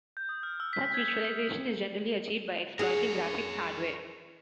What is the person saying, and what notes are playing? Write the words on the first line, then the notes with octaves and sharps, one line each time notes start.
Such visualization is generally achieved by exploiting graphics hardware.
G6
D#6
F6
E6
B6
G#6
C#7
C#7
G#4 A#4 C#5